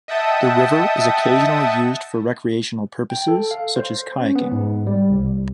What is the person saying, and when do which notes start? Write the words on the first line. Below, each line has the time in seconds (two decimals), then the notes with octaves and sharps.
The river is occasionally used for recreational purposes, such as kayaking.
0.08 D#5 E5 F#5 G5 A5 D#6
3.10 G5
3.28 A4
3.51 F5
3.76 C5
4.21 C#4
4.35 B3
4.52 G#2
4.87 G3
5.10 C2